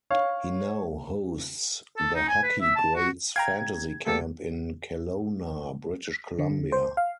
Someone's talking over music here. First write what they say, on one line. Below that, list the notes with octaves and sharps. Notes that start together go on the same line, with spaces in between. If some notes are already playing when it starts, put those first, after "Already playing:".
He now hosts the Hockey Greats Fantasy Camp in Kelowna, British Columbia.
C#5 F5
A4
D#4
G#5
B4
E5
A5
F#4
F5 G5 A#5 G#6
A3 A#3 G4 A4
D3
C5
F5